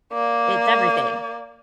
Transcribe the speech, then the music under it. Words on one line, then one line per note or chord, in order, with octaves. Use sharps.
It's everything,
A#3 D5